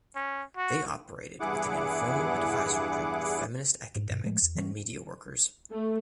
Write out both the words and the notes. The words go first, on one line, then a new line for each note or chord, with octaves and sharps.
They operated with an informal advisory group of feminist academics and media workers.
C#4
F#4
E2 G2 E4 G#4 F#5 D6
G#2
G2 B2
A2 F3 G#3 A3
E2
E3 G3 G#3 C#4
A3